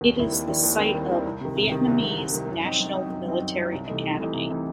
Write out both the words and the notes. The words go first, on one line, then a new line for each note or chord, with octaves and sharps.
It is the site of Vietnamese National Military Academy.
D#2
D#3 G3 C4 E4
D#2
D#3 G3 C4 E4
D#2
D#3 G3 C4 E4
D#2
D#3 G3 C4 E4
C2
C3 D#3
C2
C3 D#3
C2
C3 D#3
C2
C3 D#3
F#2
F#3 C4 D#4
F#2
F#3 C4 D#4
F#2
F#3 C4 D#4
F#2
F#3 C4 D#4
C2
C3 E3 A3 D#4
C2
C3 E3 A3 D#4
C2
C3 E3 A3 D#4